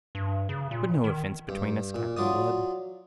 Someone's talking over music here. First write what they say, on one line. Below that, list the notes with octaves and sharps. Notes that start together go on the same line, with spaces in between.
"But no offence between us, Captain Blood!"
G2
C#3
A#2
D#3
G2
A#2
F#3 F4 D5 D#6